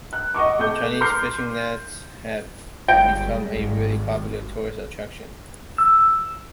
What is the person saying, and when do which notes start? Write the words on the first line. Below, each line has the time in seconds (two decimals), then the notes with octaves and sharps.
The Chinese fishing nets have become a very popular tourist attraction.
0.13 F#6
0.34 D#5 F#5 C#6 D6
0.59 A3 D6 G6
1.01 C6 D6 F6 G6 C7
2.88 G1 G3 G#3 G5
3.56 G#1
5.78 E6